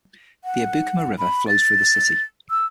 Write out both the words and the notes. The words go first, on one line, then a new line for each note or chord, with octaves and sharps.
The Abukuma River flows through the city.
F#5
B5
A6
E6